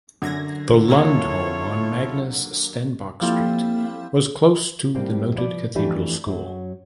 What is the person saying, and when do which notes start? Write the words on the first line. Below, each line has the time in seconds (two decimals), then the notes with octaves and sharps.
The Lund home on Magnus Stenbock Street was close to the noted Cathedral School.
0.22 F#2 D3 G#6 A#6
0.88 D#2 F#3 A#3 E4 F4 A4 C#5
3.21 F3 G3 A#3 C4 E4 A4 F5
4.95 A2 G3 A#3 C4 G4
5.36 F3 B4 D5
5.75 F2 E3 A3 D4 G4 B4
6.26 F#2 F#3